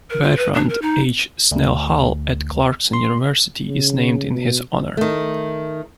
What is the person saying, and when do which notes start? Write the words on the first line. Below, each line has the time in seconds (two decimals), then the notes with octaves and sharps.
Bertrand H. Snell Hall at Clarkson University is named in his honor.
0.10 A#4
0.23 F4
0.37 B4
0.54 D4
0.69 A#4
0.82 D#4
1.51 D2
2.93 C6
3.68 C#3
4.32 B2
4.97 D#3 A3